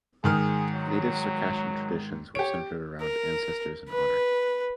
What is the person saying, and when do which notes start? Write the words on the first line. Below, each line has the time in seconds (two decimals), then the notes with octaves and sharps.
Native Circassian traditions were centered around ancestors and honor.
0.24 G#2 D#3 G#4 F6
0.74 F#3
2.35 G4 C#5 D7
3.00 A#4
3.89 B4